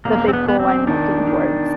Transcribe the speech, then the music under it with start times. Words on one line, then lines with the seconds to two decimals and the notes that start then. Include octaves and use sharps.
the big goal I'm working towards.
0.05 E1 A#3
0.28 C4
0.33 B3
0.46 E1 B3
0.60 C4
0.87 D#3 D4
1.27 D#3